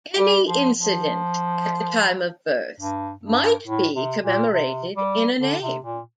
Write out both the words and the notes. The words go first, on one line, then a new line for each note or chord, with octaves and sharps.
Any incident at the time of birth might be commemorated in a name.
G3
F3
F3
G2
G2
A2
C3
A#2
C3
G3
D3
C3
A#2